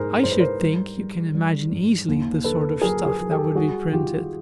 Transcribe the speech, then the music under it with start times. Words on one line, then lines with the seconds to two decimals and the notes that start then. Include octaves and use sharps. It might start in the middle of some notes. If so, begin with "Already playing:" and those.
I should think you can imagine easily the sort of stuff that would be printed.
Already playing: G#2 G#3 G#4 A#4 C5
0.24 G#2 C5
0.32 B4
0.40 A#4 C5
0.60 G3
0.97 G3
1.34 G3
1.72 G#2
2.08 D#2
2.44 D3 A4 B4
2.81 F#3 G#4 A#4
3.06 G#4 A#4
3.19 F#3
3.31 G4 A4
3.55 G3 F#4 G#4
3.93 D#3 F4 G4